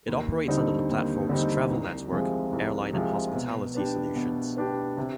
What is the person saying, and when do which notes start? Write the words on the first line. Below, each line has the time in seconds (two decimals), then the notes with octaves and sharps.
It operates under the platforms Travel Network, Airline and Hospitality Solutions.
0.07 D#2
0.48 D3 G3 C4 D#4
0.89 D#2
1.29 D3 G3 C4 D#4
1.70 C2
2.11 C3 F3 G#3
2.53 C2
2.93 C3 F3 G#3
3.34 B2
3.75 B3 D4 G4
4.16 B2
4.57 B3 D4 G4
4.97 C3